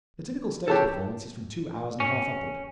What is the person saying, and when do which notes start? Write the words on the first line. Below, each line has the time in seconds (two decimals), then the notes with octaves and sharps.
The typical stage performance is from two hours and a half upward.
0.68 C#3 F#4 G4 A4 A5
2.00 C#4